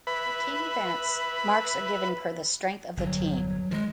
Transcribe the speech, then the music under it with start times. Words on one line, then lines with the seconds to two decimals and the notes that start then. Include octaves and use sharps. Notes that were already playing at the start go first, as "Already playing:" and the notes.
For team events, marks are given per the strength of the team.
0.07 B4 E5 B5
2.97 G1 E2 F#3
3.71 D#3 F3 G#3